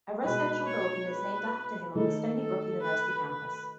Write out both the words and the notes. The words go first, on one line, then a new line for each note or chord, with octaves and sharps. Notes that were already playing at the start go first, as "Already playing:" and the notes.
A residential building is named after him on the Stony Brook University campus.
B2 G#3 D#4 B4
C#5
B4
D#3 A3 D#4 A4
A4
B4
B4